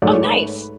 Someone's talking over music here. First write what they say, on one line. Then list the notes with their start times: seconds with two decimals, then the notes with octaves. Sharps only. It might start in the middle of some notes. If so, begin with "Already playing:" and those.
Oh, nice.
0.02 G#2 F#3 A3 D5
0.13 C#5
0.25 B4